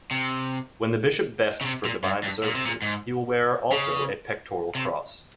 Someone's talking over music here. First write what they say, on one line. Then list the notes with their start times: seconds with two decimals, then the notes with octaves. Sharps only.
When the bishop vests for Divine Services, he will wear also a pectoral cross.
0.11 C3
1.61 C#3
1.65 C3
1.85 A#2
2.04 G2
2.23 G2
2.43 A#2
2.55 C3
2.66 A#2
2.82 G#2
3.72 C#3
4.75 C3